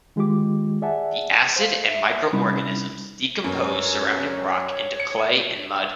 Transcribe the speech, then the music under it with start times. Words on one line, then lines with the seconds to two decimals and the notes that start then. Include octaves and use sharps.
The acid and microorganisms decompose surrounding rock into clay and mud.
0.16 D#3 G#3 F4 G4 D6
0.82 G#4 D5 E5 F#5 G#5 A5
1.56 C5 F5
1.89 E5
2.33 C3 G3 C#4 D#4 E4 B5
3.44 F#2 G4 B4 C#5
4.31 C#5
5.00 C#7